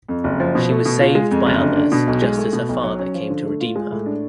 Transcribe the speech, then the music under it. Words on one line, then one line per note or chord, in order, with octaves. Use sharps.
She was saved by others just as her father came to redeem her.
F2
F#1
F3
B2
A3
B2
F4
G#3
F2
F#1
D3
D4
B2
B1
G#3
A3
B2
B1
F#3
C#4
F3
D3
A3
F4
G#3
A2
D4